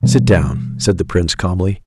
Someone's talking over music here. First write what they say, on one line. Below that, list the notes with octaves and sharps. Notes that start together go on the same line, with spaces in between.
"Sit down," said the Prince calmly.
B2 E3 G3 B3